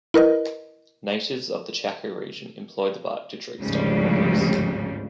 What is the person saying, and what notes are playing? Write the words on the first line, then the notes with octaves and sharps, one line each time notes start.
Natives of the Chaco region employ the bark to treat stomach problems.
E4 A#4 B4 D#5
G#1 D2 G#2 C#3 F3 G3